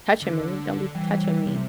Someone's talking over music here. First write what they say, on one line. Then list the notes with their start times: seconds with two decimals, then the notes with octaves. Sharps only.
touching me. Don't be touching me.
0.22 D3
0.95 E3 G3
1.46 C3